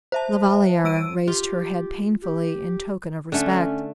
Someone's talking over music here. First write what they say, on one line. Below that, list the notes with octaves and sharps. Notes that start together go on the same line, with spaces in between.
La Valliere raised her head painfully in token of respect.
C5 E5 A5
G3 E6 D7 D#7
F4 G4
G4
D3 A3 C#4